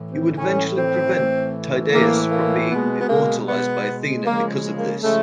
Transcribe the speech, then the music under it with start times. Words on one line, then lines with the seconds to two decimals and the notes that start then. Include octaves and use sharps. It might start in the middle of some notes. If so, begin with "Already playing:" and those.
He would eventually prevent Tydeus from being immortalized by Athena because of this.
Already playing: A2 E3
0.11 C4
0.36 A2 E3 A3 C#4
0.76 C4
1.15 A2 E3 A3
1.91 A2 E3 A3 A#3
2.31 A#3
2.69 B2 G#3 B3
2.99 B3
3.08 A#3
3.46 B2 G#3 B3
4.24 C#3 F3 G#3 A#3
4.77 A#3
5.02 C#3 F3 G#3 A3